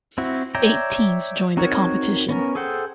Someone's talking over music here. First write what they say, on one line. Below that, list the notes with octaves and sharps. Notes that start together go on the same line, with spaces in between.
Eight teams joined the competition.
C4 E4 F#4
C#5 D5 E5 G5 A#5
C4 D#4 F#4 A#4 C#5
B3 C#4 A#4
G#4 A4 C5 F#5 G5